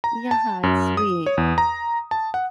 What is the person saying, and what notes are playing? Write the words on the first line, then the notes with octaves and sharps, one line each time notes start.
Yeah, it's sweet.
A#5
A5
F#2
D#6
C#5
E2
A#5
A5
F#5